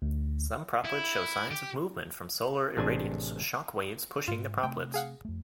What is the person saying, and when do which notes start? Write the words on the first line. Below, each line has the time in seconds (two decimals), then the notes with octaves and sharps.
Some proplyds show signs of movement from solar irradiance shock waves pushing the proplyds.
0.02 D2
0.85 E4
1.51 G4
2.77 A1 C3 D4 G#4 G#5
4.28 G#2 F4
4.63 C3 A3 G5
4.94 G#4 F5 F#5
5.25 F2 A3